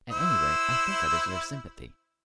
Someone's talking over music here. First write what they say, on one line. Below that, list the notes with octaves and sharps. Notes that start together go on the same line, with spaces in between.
At any rate I think I deserve sympathy.
E4 C5 E6